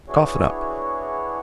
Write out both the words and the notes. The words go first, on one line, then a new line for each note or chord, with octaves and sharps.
Cough it up.
B3 D4 E4 F#4 G#4 C#5